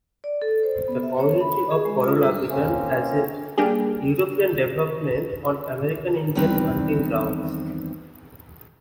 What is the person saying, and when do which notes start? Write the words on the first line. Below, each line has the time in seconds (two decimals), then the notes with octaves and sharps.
The community of Corolla began as a European development on American Indian hunting grounds.
0.24 D5
0.42 A4
0.63 C5
0.88 B3
1.03 E5
1.20 C#5
1.40 B5
1.71 G#4
1.85 G#3
2.04 F4
2.22 G3
2.50 A#3 C4 C#4
3.58 G3 A#3 D4 G4 G#4
6.35 E2 D#3 G3 C4 B4